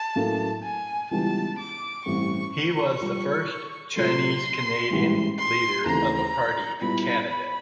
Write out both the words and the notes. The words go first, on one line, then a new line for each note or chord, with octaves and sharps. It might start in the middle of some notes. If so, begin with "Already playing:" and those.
He was the first Chinese Canadian leader of a party in Canada.
Already playing: A5
A2 F#3 A#3 C#4
G#5
C#2 C#3 E3 G3 B3 A5
D6
A1 G2 E3 G3 C4 C#6
C#6
A#1 A#2 G3
A#2 F#3 A3 C6
A1 G#2 E3 G3
C6
D#2 C#3 E3 A3 C4 A#5
A#2 G3 B3 E4 B5
B5